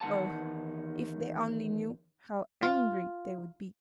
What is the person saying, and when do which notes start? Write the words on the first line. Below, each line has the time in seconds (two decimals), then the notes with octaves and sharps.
Oh, if they only knew, how angry they would be!'
0.01 E2 D#3 A3 F#5 A5
2.63 F4